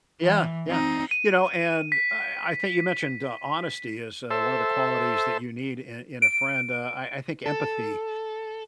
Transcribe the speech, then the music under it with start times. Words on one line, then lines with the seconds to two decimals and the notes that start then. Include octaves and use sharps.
Yeah, yeah, you know and I I think you mentioned, uh, honesty is, uh, one of the qualities that you need in in a friend, uh, I I think empathy,
0.21 E3
0.67 C4 D#4
1.11 D#7
1.92 B6
4.30 A4 C5 E5
6.22 D7
7.46 A4